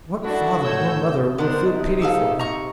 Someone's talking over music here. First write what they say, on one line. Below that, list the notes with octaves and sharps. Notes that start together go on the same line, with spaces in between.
What father or mother will feel pity for her?
D4 E4 F#4 A4 F#5
A2 C#5 E6 G6
D#3 B3 D4 A#4 C5 F#5
C3 D#4
G#4 A4 F5
A#5 C#6